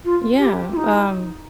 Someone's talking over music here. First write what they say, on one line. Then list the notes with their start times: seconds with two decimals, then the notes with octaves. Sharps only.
Yeah, um,
0.05 F4
0.38 G4
0.72 F4
0.76 D#4